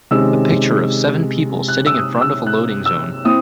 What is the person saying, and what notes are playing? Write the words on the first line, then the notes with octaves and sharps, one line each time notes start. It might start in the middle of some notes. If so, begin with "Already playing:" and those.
A picture of seven people sitting in front of a loading zone.
C3 D#3 G#3 C#4 E6
F#6
E6
D#6
E6
F#6
E6
C4 E4 D#6